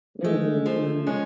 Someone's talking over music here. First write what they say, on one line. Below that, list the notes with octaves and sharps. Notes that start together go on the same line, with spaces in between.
Mhm, mhm.
G#3 A3
F3
G#3 C#4